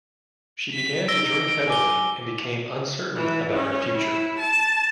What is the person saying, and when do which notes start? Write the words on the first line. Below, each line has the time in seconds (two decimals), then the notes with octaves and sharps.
She began to drink heavily, and became uncertain about her future.
0.73 B6
1.08 D#4 E6 A#6 D7 G7
1.68 G#5 D6 G7
3.15 E3
3.53 C#4
3.96 E4
4.39 A5